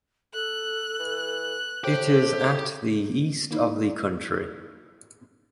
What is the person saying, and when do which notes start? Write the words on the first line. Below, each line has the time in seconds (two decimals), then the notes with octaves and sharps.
It is at the east of the country.
0.33 A4 F#6
1.00 E3
1.84 A2 G4 C5
3.51 A#3 D#4 E4